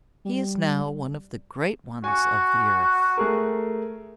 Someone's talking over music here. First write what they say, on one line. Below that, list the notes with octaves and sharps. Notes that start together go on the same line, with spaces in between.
He is now one of the great ones of the earth.
G3
F#4 G#5 C#6
A3 G#4 A#4